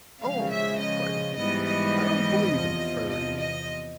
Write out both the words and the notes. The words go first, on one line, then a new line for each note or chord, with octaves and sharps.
"Oh!" cried Uncle Wiggily, "I don't believe in fairies!"
C#3 F3 G#3 F5
E5
D#5
G#2 E3 G3 B3 D#5
D#5
E2 C3 F3
D#5
D#5